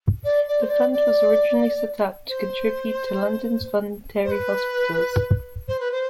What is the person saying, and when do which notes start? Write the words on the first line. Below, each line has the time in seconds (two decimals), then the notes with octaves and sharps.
The fund was originally set up to contribute to London's voluntary hospitals.
0.24 D5
0.48 D5
0.62 C5
0.69 D5
0.93 D5
2.29 C5
4.24 C5
4.31 B4
5.68 C5
5.80 B4
5.91 C5